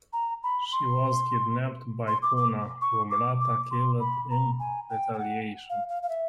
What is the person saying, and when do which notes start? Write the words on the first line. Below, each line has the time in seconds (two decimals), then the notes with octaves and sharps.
She was kidnapped by Puna, whom Rata killed in retaliation.
0.13 A#5
0.43 B5
0.72 C6
2.07 C6
2.22 D6
2.37 D6
2.81 C#6
3.11 D6
3.40 D6
3.71 C6
4.00 B5
4.30 A#5
4.59 G#5
4.90 G5
5.14 G5
5.19 F#5
5.70 F5
5.89 F5
6.03 F5
6.09 E5